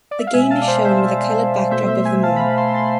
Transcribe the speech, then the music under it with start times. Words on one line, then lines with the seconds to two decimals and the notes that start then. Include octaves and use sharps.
The game is shown with a colored backdrop of the moon.
0.11 D5
0.19 E5
0.27 F5
0.33 B2 G#3 E5 G#5
0.50 F5 A5
0.61 D5
0.67 C5 E5
0.85 C5 E5
1.71 B2 A3 C5 E5
1.88 C5 E5
2.05 E5 G#5
2.16 G#5
2.23 F5 A5
2.36 B5
2.40 F5 A5
2.57 A5 C6
2.74 A5 C6